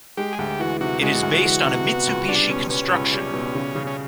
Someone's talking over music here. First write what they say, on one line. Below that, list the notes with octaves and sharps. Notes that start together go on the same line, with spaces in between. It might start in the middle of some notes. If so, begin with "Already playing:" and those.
It is based on a Mitsubishi construction.
G#3 G4
G#4
D2 G4
E3 F#4
C3 F#4
G#3 F#4
D2
E3
C3
B3
C#2
G3 D4
B2 C#4
B3 C#4
C#2
G3
B2
C#3
C#3
C#4